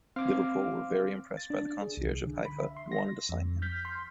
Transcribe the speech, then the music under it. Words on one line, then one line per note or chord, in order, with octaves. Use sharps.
Liverpool were very impressed by the concierge of Haifa and wanted to sign him.
C4 F5 D6
A6
D4
G#4
C2
D3
B5
E5
C6
A#6
F2
F6 G6 B6
C6